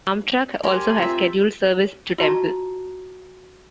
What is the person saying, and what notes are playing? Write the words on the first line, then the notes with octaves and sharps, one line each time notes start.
Amtrak also has scheduled service to Temple.
G4 A#4 G#5 A#5 C6
C4 F4 E5
F4 F#4 A5 A#5